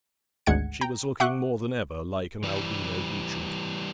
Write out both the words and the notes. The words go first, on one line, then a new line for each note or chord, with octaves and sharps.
She was looking more than ever like an albino beetroot.
G#1 D2 G#3 F#5 G#6 C#7
G5 A#5
E5 F#5 C#6 D6 F#6
E3 G3